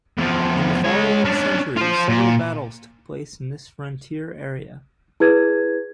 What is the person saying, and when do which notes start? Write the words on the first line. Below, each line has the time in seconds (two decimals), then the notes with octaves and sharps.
In the following centuries, several battles took place in this frontier area.
0.18 E2 F3
0.85 G#3 C#5
1.25 C#4 D4
1.76 F4 C5
2.09 A#2
5.20 E4 G#4 B4 G#6